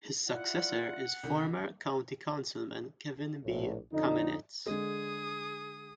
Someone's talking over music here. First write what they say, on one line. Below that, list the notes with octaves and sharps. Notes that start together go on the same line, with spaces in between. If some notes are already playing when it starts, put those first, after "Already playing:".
His successor is former county councilman Kevin B. Kamenetz.
E4 F4 D5 F#5
C2 D3 D#3 G4 D#5
A#1 A2
F2 D3 D#4
D3 G#3 G#4 D#6